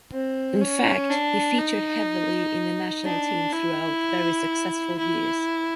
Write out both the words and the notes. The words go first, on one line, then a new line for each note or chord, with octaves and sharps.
In fact, he featured heavily in the national team throughout very successful years.
C4
C#4
D4
D#4
D4
E4
E4